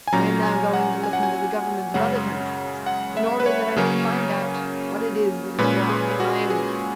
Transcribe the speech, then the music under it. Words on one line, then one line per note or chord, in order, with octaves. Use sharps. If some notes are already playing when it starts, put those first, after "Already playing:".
I am now going to look into the government of other countries in order that I may find out what it is that is wrong in my own kingdom.
G#5
A#2 F#3 C#4 A#5
G#5
F#5
G#5
F#5
G#5
F#2 C#3 G#3 C#4 F#5
F#5
E5
B4
C#5
C#3 F#3 A#3 C#4
A#2 G#3 C#4 B4
G#4
G#4
F#4
G#4